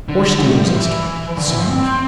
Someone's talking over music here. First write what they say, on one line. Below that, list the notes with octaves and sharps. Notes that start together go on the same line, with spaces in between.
Horse-dealer's estimate, so much.
D3
A3
G3
F3
E3
D3
E3
F3
C4